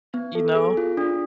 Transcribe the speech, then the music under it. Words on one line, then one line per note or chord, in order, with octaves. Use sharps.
You know
B3
A4
G#4
F4
D4